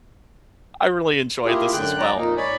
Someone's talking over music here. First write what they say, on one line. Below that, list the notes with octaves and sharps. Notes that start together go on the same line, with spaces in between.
I really enjoyed this as well.
A#3 E4 F4 G4 G#4
F#2 D3 G5 F#6
F#3 D5 G5 A#5
F2 A#2 A#3 D#4
G#2 C#5 D5 G#5 B5